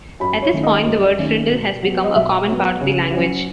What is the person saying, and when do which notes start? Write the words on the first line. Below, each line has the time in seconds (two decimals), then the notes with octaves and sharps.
At this point, the word "frindle" has become a common part of the language.
0.20 F#2 B5
0.42 C#5
0.53 D#3 A3 C#4
0.64 D#5
0.86 F#2
1.18 D#3 A3 C#4
1.51 B2
1.83 F#3 B3
2.04 D#5
2.16 B2 E5
2.48 F#3 B3
2.81 C#3
3.13 F#3 C#4